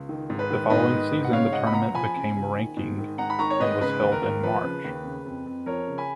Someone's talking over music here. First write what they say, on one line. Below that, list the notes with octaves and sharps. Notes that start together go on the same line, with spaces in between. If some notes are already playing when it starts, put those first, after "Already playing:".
The following season the tournament became ranking and was held in March.
Already playing: C#2
D#3
G#2
B4
D#3
G#2 B4 D#5
D#3
G#2
F#5
C#3 C#5 F5
C#2 D#5 F#5
B5
C#2 F#5 A#5
F3 G#5 B5
C#3
C#2
D#3
G#2
D#3
G#2 F#5 A#5
B5
D#3 A#5 C#6
C#5
G#2 B4 D#5
C#3 B4
D#2
A#4
D#2
F3 B4
C#3
D#2
C#3
F2
F2
F3 A#4 C#5
C#3
G#5 B5